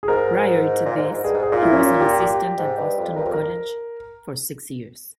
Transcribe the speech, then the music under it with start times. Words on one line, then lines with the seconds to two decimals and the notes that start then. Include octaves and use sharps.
Prior to this he was an assistant at Boston College for six years.
0.03 G#4
0.08 G#2 A#4
0.85 A#2
0.98 G#2
1.10 G#2
1.24 G2 G#4
1.34 G#2
1.43 G#4
1.52 A#2 F4
1.63 E4
1.72 C#4
1.81 F4
1.91 F4
2.00 G4
2.11 F4
2.20 G4
2.58 G#2
2.77 G2
2.98 F2
3.16 G2 A#4
3.25 F2
3.33 A#4